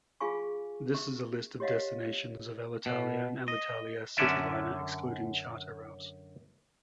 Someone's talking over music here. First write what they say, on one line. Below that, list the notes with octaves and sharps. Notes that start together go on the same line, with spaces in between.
This is a list of destinations of Alitalia and Alitalia CityLiner excluding charter routes.
F4 G#4 F5 G#5 C#6
E5 C#6
G4 C#5 D#5 F5 F#5
B2
D#5
F#2 D3 C#4 D5 E5